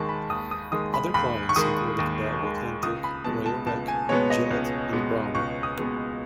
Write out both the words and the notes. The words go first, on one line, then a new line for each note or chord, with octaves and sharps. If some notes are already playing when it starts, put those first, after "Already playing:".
Other clients included Bell Atlantic, Rayovac, Gillette, and Braun.
Already playing: D#2 D#3 G#3 A5 C#6
B5
D#2 D#6
D#6
D#3 G#3 D#6
B5
D#2 B5
C#6
D#3 G#3 D#6
D#2
D#3 G#3
C#2 D#6
B5
B2 G#3 B3 A5
A5
C#2 A5
G#5
B2 G#3 B3 C#5
D#5
C#2
B2 G#3 B3
C#2 C#6
D#6
B2 G#3 B3